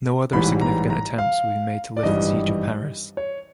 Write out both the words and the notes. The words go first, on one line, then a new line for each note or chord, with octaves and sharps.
No other significant attempts would be made to lift the siege of Paris.
A1 G#2 E3 G3 B5
A#5
A#5
F5
D5
G#1 G2 E3 G3 D#5
C#5